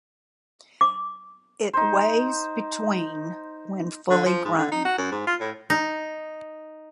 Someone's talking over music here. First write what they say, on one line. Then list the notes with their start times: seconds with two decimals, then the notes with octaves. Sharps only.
It weighs between when fully grown.
0.81 D6
1.73 D#4 C5
4.10 D3
4.26 F3
4.45 G#2
4.58 D3
4.72 D#4
4.85 F#4
4.98 F#2
5.12 G#2
5.27 F4
5.40 A2
5.70 D#4